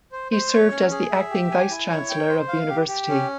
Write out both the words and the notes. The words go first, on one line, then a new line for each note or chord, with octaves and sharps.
He served as the acting Vice Chancellor of the university.
C5
C5
C#5
C#4
G#4
E5
G4
G#5
E4
C#5
G5
C5
F5
G4
G4
C#4